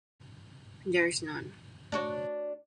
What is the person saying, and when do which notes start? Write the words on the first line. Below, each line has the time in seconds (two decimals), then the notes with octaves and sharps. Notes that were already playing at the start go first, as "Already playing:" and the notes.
There is none.
1.92 D4 F#4 C#5